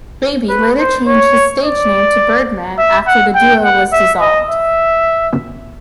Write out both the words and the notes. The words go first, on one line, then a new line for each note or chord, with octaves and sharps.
Baby later changed his stage name to Birdman after the duo was dissolved.
B4
C5
C#5
D5
E5
F#5
G5
F#5
E5
D#5
E5